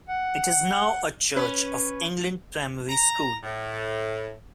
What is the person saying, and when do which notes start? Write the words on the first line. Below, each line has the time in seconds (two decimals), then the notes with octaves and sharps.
It is now a Church of England Primary School.
0.08 F#5
1.36 C#4 B4
2.89 A#5
3.43 A2